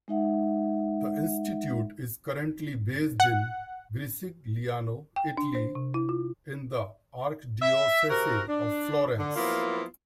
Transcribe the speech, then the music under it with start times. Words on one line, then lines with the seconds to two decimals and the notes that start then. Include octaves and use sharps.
The institute is currently based in Gricigliano, Italy in the Archdiocese of Florence.
0.08 G#3 D#4 E5 F#5
3.20 F#5
5.16 G5
5.37 D4
5.55 C5
5.75 C3
5.94 E4
6.09 F4
7.62 E5
8.10 C3 C4 F#4 A#4
8.48 D4
9.18 D3
9.36 F3 F#3 A#3 B3 E4 F4